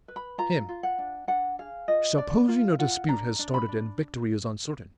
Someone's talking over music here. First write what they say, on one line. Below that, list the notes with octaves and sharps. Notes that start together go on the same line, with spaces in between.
HIM: Supposing a dispute has started and victory is uncertain.
B4
B5
F4 A#5
F4
F#5
D4
D4 F#5
G#4 F5
F4 D#5
D4 D5
F4 F5
F4 F#5
D4 A#5
D4
B5
D4